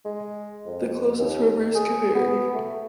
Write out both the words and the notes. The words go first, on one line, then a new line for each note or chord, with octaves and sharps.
The closest river is Kaveri.
G#3
F2
D#2
G#4
B3
A3